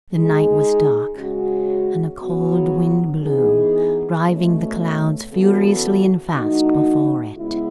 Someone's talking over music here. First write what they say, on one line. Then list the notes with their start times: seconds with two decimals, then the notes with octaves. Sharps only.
The night was dark, and a cold wind blew, driving the clouds, furiously and fast, before it.
0.12 G#3 D#4 G#4
1.17 C#3 G#3 C#4 F#4
2.20 C#3 F#3 B3 F#4
3.23 E3 B3 D#4 G#4
4.25 B2 A3 C#4
5.29 C#3 E3 B3 F#4 A4
6.32 E3 A3 D#4 F#4
7.36 C#3 G#3 B3 E4